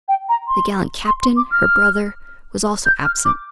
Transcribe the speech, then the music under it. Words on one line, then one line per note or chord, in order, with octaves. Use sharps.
The gallant captain, her brother, was also absent.
G5
A#5
C6
C6
C6
D6
F6
G6
F6
D6